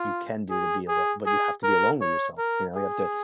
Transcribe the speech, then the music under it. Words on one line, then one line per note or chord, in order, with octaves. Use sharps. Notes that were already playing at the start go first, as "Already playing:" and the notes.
you can do to be alone but you have to be alone with yourself, you know, you have to
Already playing: F4
G#4
G#4
G#4
A#4
C#5
A#4
G#4